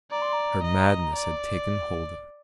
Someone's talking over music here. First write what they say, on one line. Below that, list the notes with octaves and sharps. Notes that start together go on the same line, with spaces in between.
Her madness had taken hold of her.
D5 A#5
C6
A#5
D#5
D5